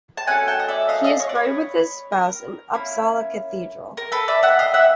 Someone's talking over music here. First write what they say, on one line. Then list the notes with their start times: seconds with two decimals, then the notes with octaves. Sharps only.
He is buried with his spouse in Uppsala Cathedral.
0.17 A5
0.27 A3 C#4 F#4 A4 F#5 G#5
0.48 G5 A5
0.59 D#5
0.69 D5 E5
0.89 D#5 F5
1.04 D#5 F5
1.20 C#5 D#5
1.29 D5
1.35 B4 C#5
2.12 A#4
2.74 A#3 C#4 E4
3.97 A#4
4.12 A4 B4
4.28 D5 E5
4.43 E5 F#5
4.59 D#5 F5
4.74 E5 F#5